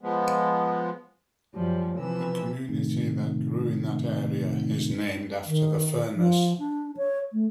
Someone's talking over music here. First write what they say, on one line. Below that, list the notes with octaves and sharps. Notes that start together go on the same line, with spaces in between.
The community that grew in that area is named after the furnace.
F3 G#3 B3
F#2 F3 G3 C#4
C3 E3 F3 B4 E6
A2 C3 D#3
D#3
F3
D4
C#5
A3